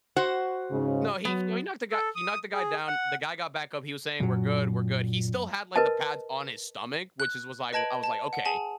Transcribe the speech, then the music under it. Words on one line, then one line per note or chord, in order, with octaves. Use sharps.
No he you know, he knocked the guy he knocked the guy down, the guy got back up, he was saying, "We're good, we're good." He still had, like, the pads on his stomach, which is was like well I was like, "Okay,
F#4 C5 F#5
G#2 C#3
F#3 B3
A4
D#6
G#4
F#5
F#2 A#2 F#3
A#4 B4 D#5 A5
F#6
B4 D#5 A5 G#6 D7 F#7
A5
F#5
G#4 G#5 A5 E7